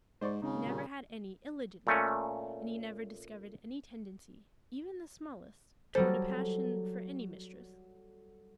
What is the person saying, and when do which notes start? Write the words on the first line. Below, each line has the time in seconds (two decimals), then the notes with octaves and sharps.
He never had any illegitimate; and he never discovered any tendency, even the smallest, towards a passion for any mistress.
0.21 G#2 C5 D5 C#6
0.42 G#1 C#3 D#4
0.66 A#2 D#3 G3
1.87 A#2 A3 C#4
5.95 F#3 G3 A4 C5